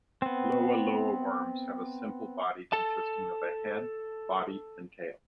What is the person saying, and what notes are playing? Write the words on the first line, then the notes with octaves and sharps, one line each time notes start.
"Loa loa" worms have a simple body consisting of a head, body, and tail.
B3 C4
A4 A5